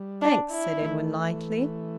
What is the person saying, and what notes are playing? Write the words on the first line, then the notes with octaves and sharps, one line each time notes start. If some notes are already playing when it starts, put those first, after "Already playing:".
"Thanks," said Edwin lightly.
Already playing: G3
D4
E4
E3 A3